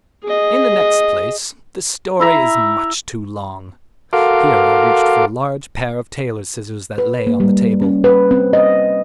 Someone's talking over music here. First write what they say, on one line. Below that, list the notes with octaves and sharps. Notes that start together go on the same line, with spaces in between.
"In the next place, the story is much too long." Here I reached for a large pair of tailor's scissors that lay on the table.
G#4 D#5
E4 E5 A#5
F#4 A4 A#4 F5 C6 D6
B4
A#3
G3
C#4
B4
C4
D#5